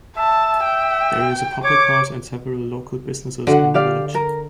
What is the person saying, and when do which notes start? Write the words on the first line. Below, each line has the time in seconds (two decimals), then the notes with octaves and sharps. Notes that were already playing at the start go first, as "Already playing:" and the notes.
There is a public house and several local businesses in the village.
0.17 E5 A5
0.64 G5
1.64 C#5 D6
3.47 D3 F#4 F#5
3.74 G4 D5 F5
4.15 A#4